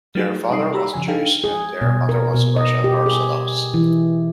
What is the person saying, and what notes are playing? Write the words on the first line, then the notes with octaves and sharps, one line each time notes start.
Their father was Jewish and their mother was Russian Orthodox.
F#3 A3 D#4 F4 F#4 G#4
C3 G3 D#4 D#6 C7
F#4 G4 A#5 B5 E6
C#3 F3 G#5
D4 D#4 A4 F5 G5
G#4
B2
A#4
B2
D#5
G4
G#4
E3